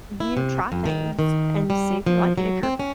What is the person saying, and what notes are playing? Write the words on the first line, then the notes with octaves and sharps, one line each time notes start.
you try things and see if you like it, if you're
E4
C3
F2
D#3
D#3
G3
F3
F#3
C4
C#4